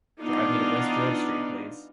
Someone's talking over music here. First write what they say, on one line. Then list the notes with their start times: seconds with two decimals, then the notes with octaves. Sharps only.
Drive me to West George Street please.
0.21 E3 B3 D4 D#4 F4